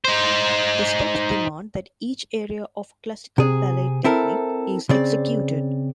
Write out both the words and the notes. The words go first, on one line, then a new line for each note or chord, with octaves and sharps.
The steps demand that each area of classical ballet technique is executed.
D#4 C5
C3 G#4
C4 E4 A4 A#4
C#3 C4 D5